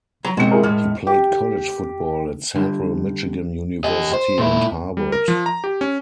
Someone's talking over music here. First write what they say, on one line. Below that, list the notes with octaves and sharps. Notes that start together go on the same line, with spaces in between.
He played college football at Central Michigan University and Howard.
F#3 A#5
B2 G#3 C4 C#7
E4 G#4 A#4
A2 G#3 F6
G4
D3 G3
G4 D#5
C5
A#2 E4
G3
A#4
F3
A#5
G4
C#4